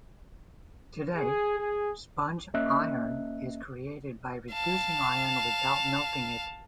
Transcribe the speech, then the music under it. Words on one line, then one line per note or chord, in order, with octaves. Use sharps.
Today, sponge iron is created by reducing iron ore without melting it.
G#4
G#4
A#3 C#4 D#5 E5 F#6
F5 A5